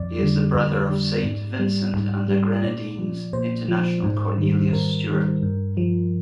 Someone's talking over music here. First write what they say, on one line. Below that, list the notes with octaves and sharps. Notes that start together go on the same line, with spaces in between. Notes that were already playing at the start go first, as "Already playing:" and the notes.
He is the brother of Saint Vincent and the Grenadines international Cornelius Stewart.
Already playing: F2 D5
D3 G3
F2
D3 G3
G#2
G3
G#2
G3
A#2 D5
F3
A#2 C5
F3
G#2
D#3 G3
G#2 A#4
D#3 G3
G2
F3